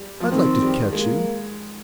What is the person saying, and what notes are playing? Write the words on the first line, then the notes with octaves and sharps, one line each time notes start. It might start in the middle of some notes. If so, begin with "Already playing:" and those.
I'd like to catch you!
Already playing: G3
F3
D#3 C4
G3
G#3 A#3